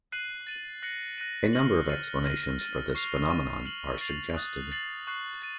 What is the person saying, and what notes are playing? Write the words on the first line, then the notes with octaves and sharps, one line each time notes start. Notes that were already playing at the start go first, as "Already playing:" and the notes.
A number of explanations for this phenomenon are suggested.
F#6 C7 D#7 F#7
A6 D#7 F#7
F#6 A#6 C#7 F#7
F#6 A#6 D#7
F6 A#6 D#7 F#7
F6 A6 D#7 F#7
F6 A#6 D#7 F#7
F6 A6 D#7
C#6 F6 C7 F7
C#6 A6 D#7
F6 C7 F#7
A6 C7 F7
D#6 F#6 A6
A6 C7 F#7
C#6 F#6 C7
A6 D#7